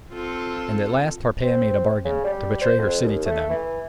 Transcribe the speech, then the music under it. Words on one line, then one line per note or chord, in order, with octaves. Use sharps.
And at last Tarpeia made a bargain, to betray her city to them.
C4 F4 A4
C4
C#3
G3
C5
F2
D#2
A3
E3